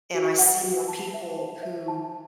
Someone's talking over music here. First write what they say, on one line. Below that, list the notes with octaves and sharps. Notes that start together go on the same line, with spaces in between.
and I see more people who
F#4
F#5
F#4
A5
E5
C5
E5
A5